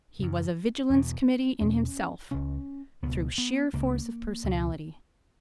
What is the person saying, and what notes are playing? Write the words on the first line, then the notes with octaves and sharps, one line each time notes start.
He was a vigilance committee in himself through sheer force of personality.
F#2 C#3
E2 B2
E2 B2 C#4
C#2 C#3 C#4
C#2 B2 B3
B3
C#2 C#3 A#3
C#2 B2